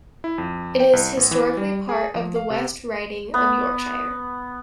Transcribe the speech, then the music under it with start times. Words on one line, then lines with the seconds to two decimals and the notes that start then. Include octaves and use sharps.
It is historically part of the West Riding of Yorkshire.
0.24 E4
0.38 F2
0.80 G5
0.93 C2
1.17 A1
1.31 E3
1.57 G3
1.89 G#4
2.15 F3
2.36 F5
2.50 C3
3.34 B3